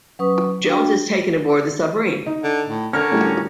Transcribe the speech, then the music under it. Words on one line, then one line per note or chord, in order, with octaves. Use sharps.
Jones is taken aboard the submarine.
F#3 C#4 B4 C#6 D#6
D4 F#4 G5
D#4
D3
A2
D3 C#4 A#4 C#5 F6
A2 G3